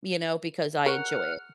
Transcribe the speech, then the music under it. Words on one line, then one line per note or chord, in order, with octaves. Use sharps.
you know, because I enjoy it.
A#4 C#5 F#5 F6